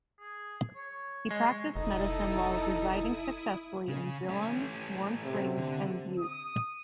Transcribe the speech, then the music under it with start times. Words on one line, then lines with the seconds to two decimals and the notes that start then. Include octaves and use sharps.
He practiced medicine while residing successively in Dillon, Warm Springs, and Butte.
0.20 G#4
0.75 C#5
1.31 G#3 C#5
1.76 F1 D#4 E4 A4 D#6
3.88 C#3
4.29 A3 C#4
5.24 C3
5.58 D3
6.19 D#6